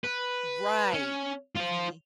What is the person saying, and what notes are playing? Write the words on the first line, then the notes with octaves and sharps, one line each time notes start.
Right. Mhm.
B4
C#4
F4 C5